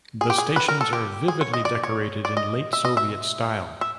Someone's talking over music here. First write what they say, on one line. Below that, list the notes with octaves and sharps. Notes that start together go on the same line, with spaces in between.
The stations are vividly decorated in late-Soviet style.
G#4
G4
G#4
B4
A#4
A4
G4
G#4
C#5
D#5
D5
C#5
D5
D#5
E5
D#5
E5
E5